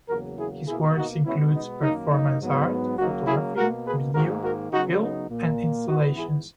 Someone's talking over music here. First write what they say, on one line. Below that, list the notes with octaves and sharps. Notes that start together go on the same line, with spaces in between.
His works includes performance art, photography, video, film and installations.
E2 C#3 F#3 A#3 F#4 A#4
E4 G#4
B2 A#3 E4 G#4
D#4 F#4
B2 G#3 B3 C#4 E4
D#4
F#2 D#3 A#3 D#4
D#4
G#2 F#3 B3
C#3 F#3 A#3 D#4 F#4
E4 G#4
B2 A#3 F#4 A#4
G#4 B4
G#2 D#3 A#3 F#4 A#4
F#4 A#4
C#3 F#3 B3 D#4 F#4
D#4
A#2 A#3
G#2 E3 B3 D#4 F#4
E4 G#4